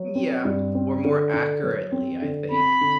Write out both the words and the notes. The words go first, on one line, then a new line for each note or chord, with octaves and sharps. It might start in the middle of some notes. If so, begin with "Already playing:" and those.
Yeah, or more accurately, I think,
Already playing: F#3
C4
G2
C4
D3
D3
F#3
C4
D3
C4 B5
D3